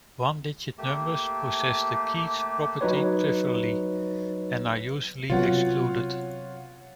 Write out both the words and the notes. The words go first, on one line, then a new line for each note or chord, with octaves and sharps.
One-digit numbers possess the Keith property trivially, and are usually excluded.
A3 A#3 G4
F#3 D#4 B4 C#5
C3 F#3 B3 F4 C#5 F#5